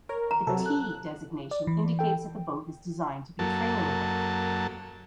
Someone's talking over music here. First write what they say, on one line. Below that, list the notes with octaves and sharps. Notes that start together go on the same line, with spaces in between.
The "T" designation indicates that the boat is designed to be trailerable.
A#4 C#5
A#5
C3 F#3 A4
F#6
D5
E3
A4 G5
F#2 F#3 A#3 A4 A5